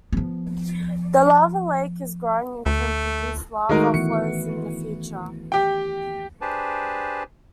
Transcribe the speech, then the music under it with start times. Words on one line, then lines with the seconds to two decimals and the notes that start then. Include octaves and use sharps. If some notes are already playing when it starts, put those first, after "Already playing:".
The lava lake is growing and can produce lava flows in the future.
0.13 F3 B3
2.66 D2 A3
3.69 D#3 G#3 A3 D#4 F#4 A#4
3.94 E3 B3 C#7
5.52 G4 G5
6.41 D4 G4 G#4 B4 C5 A5